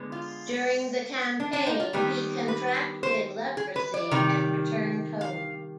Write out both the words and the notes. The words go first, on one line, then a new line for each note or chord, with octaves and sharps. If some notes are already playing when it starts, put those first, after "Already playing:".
During the campaign he contracted leprosy and returned home.
Already playing: D3 G#3 B3
F4
D4
D4
D#4
F4
D#3 G3 B3 G4
B4
C5
G#4
B4
D5
C3 D#3 G3
F5